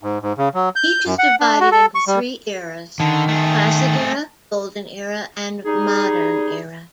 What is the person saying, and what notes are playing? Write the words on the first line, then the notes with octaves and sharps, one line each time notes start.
Each is divided into three eras: Classic Era, Golden Era, and Modern Era.
G#2
G#2
C#3
F#3
G6
F#2
F#5
D4
F#4
A4
C#6
G3
D3 D#3
A3 G#4
G3 D#4 G#4